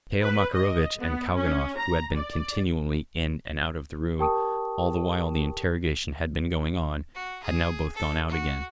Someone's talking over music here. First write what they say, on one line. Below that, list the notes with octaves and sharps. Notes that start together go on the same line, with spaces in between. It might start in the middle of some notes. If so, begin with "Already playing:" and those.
Mihail Makarovitch and Kalganov, who had been continually in and out of the room all the while the interrogation had been going on, had now both gone out again.
B4
D#5
B3
C#4
A#5
D5
G4 A#4 G5 A5 C#6 D#6
F#4
G#4
A4
F#4